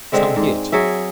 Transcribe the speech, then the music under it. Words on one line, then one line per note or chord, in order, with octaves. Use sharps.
Some hit!
D3 G#3 C4 E5
G#2
F#3 G#4 E5